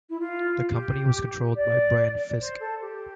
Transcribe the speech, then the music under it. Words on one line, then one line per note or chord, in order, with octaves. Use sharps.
The company was controlled by Brian Fisk.
E4
F4
G4
D5
C5
A4
G4